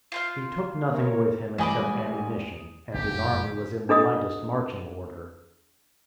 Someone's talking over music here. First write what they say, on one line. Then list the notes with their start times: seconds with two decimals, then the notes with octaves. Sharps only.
He took nothing with him except ammunition, and his army was in the lightest marching order.
0.12 F4 C5 F5
0.88 A#3 A#4 C#5
1.58 A1 G3 G#3 D#5 G#5 B5 D6 D#6
2.94 F#1 F2 G4
3.89 D4 A4 D#5 D#6